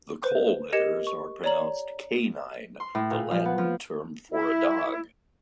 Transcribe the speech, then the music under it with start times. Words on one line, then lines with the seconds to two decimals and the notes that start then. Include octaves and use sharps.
The call letters are pronounced "canine", the Latin term for a dog.
0.23 B4 C5 G6
0.73 G4 A#4 D#5 G#6 C#7 E7
1.07 C#6
1.44 C#5 D5 A#5 F#7
2.80 C6
2.95 A2
3.11 A#2
3.31 F3
3.45 B3
3.58 F3
4.30 E4